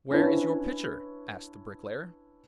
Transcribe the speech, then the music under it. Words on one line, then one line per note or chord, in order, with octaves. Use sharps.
'Where is your pitcher?' asked the bricklayer.
C#4 D4 E4 B4 C#5